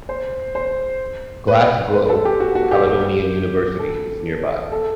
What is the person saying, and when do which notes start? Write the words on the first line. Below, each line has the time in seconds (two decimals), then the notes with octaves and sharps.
Glasgow Caledonian University is nearby.
0.09 C5
0.55 C5
1.48 B4
1.93 B4
2.09 A4
2.25 G4
2.40 F#4
2.55 F#4
2.71 G4
2.87 G4
3.79 A4
4.72 A4